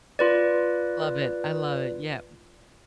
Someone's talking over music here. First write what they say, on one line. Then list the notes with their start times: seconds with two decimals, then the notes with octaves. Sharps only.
Love it. I love it. Yeah.
0.19 F4 B4 D5